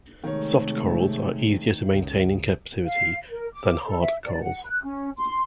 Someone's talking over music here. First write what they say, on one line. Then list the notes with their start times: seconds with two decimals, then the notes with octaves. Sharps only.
Soft corals are easier to maintain in captivity than hard corals.
0.24 C3 D#3 G#3 A3 C#5
1.91 C#2 C#3
2.85 F5
3.30 A#4
3.52 D6
3.86 A4
4.00 E5
4.24 D5
4.41 F#5
4.65 F#6
4.83 C#4
5.17 C6